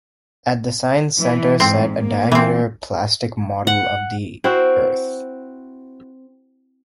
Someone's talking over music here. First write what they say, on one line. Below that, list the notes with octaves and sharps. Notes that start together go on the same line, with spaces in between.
At the sign's center sat a diameter plastic model of the Earth.
E3
G#2 C4
A#3
E3 C4
F#5
C4 E4 F#4 C5